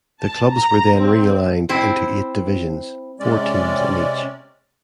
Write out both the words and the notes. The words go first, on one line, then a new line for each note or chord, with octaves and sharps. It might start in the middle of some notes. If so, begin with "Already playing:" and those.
The clubs were then realigned into eight divisions, four teams in each.
A5
A#5
C4
C4 E4 C5
C3 G#3 C#4 D5